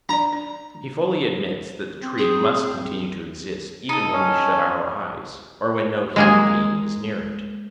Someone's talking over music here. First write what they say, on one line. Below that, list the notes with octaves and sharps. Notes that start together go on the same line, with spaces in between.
He fully admits that the tree must continue to exist even when we shut our eyes or when no human being is near it.
D4 D5 A#5
D4
C4
G#4
D#4 A4 D#6
C#4
G#3 A#3 G#4